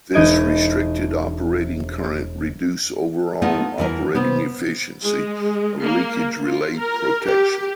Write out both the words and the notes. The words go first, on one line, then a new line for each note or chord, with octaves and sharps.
This restricted operating current reduce overall operating efficiency of leakage relay protection.
E1 D#4 D#5 G#6 D7 D#7
A3 B3 D#4 F4
E2 E3 A#4
C3 B3
G#3
A#3
F4
A#4
G4